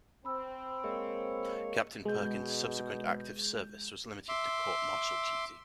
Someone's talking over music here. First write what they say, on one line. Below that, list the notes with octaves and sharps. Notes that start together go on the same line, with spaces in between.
Captain Perkins' subsequent active service was limited to court-martial duty.
C4 B5 E6
G#3 A#3 C#5
B2 G#3 G6
E5 C6 D6